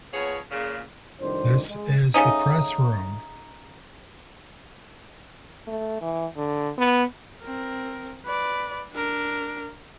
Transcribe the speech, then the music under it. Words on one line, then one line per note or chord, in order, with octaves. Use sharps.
This is the Press Room.
F3 B3 G#4 C#5
A#2 C#3
C2 F2 D#3 D4 C5
G#3
C#3 A3 C#4 D#4
A3
E3
D3
B3
C4 A#4
B4 D5
D4 A#4